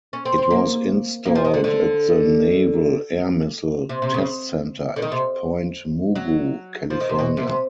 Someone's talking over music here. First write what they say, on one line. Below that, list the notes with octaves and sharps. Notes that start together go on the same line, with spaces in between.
It was installed at the Naval Air Missile Test Center at Point Mugu, California.
C#4
C4
C4
A#3
A#3
F3
D#3
D3
D3
C3
C3
C#3
D3
D#3
C3
F#3
F3
D#3
C3
B2
C3
C3